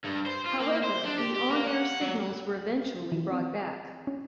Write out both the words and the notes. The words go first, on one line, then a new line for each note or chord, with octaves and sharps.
However, the on-air signals were eventually brought back.
G2
C5
F4
A#3
C5
D4
G4
G4
A#3
F#5
F#3
E3
C4
C#4